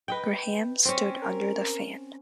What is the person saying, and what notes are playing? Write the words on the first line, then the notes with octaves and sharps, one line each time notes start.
Graham stood under the fan.
B4 D#5 G5
C4 C#4
A#4